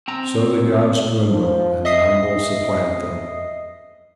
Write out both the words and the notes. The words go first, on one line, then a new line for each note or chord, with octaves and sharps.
So the 'gods' dwindle and the humble supplant them.
C4 A#5
F3
D#5 E5 D#6 C7